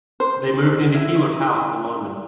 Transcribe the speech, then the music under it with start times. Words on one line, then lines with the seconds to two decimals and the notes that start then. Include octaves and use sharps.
They moved into Keiller's house in London.
0.20 C5
0.94 E4